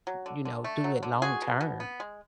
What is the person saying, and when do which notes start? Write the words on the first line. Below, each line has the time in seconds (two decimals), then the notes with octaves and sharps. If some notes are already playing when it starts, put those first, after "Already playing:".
you know, do it long term.
0.07 F#3
0.26 D3
0.45 D3
0.64 A3
0.84 F#3
1.03 D3
1.22 G#3 F#4 G#4
1.42 B2
1.61 B2
1.80 B3
2.00 G#3